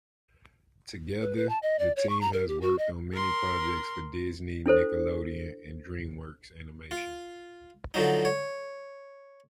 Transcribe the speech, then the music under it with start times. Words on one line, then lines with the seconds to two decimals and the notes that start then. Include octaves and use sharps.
Together, the team has worked on many projects for Disney, Nickelodeon, and DreamWorks Animation.
1.21 B4
1.36 B4
1.49 A5
1.63 D#5
1.79 D5
1.96 C#5
2.09 C#6
2.21 A#5
2.33 A#4
2.48 G4
2.61 F#4
2.79 D#5
3.13 A#4 C6
4.66 D4 E4 A4 C5
6.91 F4
7.94 D3 F3 F#3 D#4
8.25 C#5